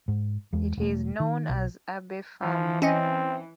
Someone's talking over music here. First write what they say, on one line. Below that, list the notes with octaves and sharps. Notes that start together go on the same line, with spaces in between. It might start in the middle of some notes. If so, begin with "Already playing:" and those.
It is now known as Abbey Farm.
G#2
E2 G#3
E1 A3
D#3
B1
E3 F3
C4 C#4 D#5